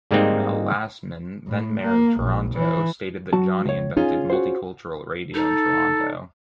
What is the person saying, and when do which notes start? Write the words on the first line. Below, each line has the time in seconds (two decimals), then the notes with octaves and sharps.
Mel Lastman, then mayor of Toronto, stated that "Johnny invented multicultural radio in Toronto".
0.11 G#2 G3 G#3 A#3 C4 D#4
1.47 A2
1.83 A#3
2.21 A#1
2.56 E3
3.33 F#3 F#4 A5
3.65 C#2 C#5
3.97 C#4 D#4 F4 G#4
4.30 F#4 C5
5.34 D#4 A4